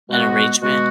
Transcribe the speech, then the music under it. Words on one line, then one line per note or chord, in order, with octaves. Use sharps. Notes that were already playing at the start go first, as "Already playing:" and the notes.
an arrangement?
B2 G#3 B3 F#4
B2 G#3 B3 F#4